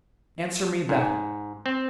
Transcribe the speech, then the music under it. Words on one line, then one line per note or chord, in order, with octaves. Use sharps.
Answer me that.
G#2
C4